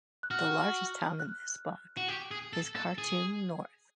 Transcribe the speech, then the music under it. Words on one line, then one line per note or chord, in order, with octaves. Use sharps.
The largest town in this block is Khartoum North.
F#6
F#4 F6
F#6
F#4
G4
G#4
A4
A4
G#4